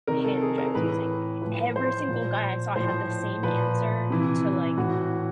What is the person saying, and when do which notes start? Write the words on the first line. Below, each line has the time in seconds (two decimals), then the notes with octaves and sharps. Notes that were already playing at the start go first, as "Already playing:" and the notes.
Hinge- I was using,- every single guy I saw had the same answer to, like
0.07 C3 D#3 A#4
0.24 A4
0.41 G#4
0.58 A#4
0.75 A2 E3 B4
1.42 A2 F3 B4
1.76 C5
2.09 A#2 F3
2.76 A2 F3 C5
3.43 A#2 F3 B4
4.10 C3 E3
4.77 A2 E3 F#4